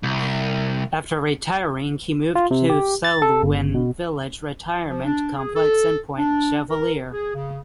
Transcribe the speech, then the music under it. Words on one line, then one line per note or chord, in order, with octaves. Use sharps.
After retiring he moved to the Selwyn Village retirement complex in Point Chevalier.
C2
F4
C3
G4
A6
A4
G1
B2
F3
D4
G#4
A4
D4
A#4
G#4
C#3